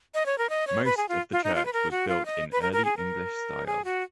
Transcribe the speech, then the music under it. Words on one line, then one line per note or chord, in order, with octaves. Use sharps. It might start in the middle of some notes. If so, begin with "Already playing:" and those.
Most of the church was built in Early English style.
D#5
C#5
A#4
D#5
C#5
B4
G#4
F4
F4
D#4
F4
B4
A#4
F#4
F4
D#5
B4
A#4
A#4
G#4
A#4
G#4
F#4